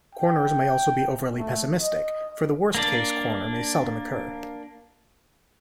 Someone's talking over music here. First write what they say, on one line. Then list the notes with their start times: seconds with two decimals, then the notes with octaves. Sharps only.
Corners may also be overly pessimistic, for the worst case corner may seldom occur.
0.15 G5
1.38 A3
1.80 D#5
2.75 A#3 D4 D5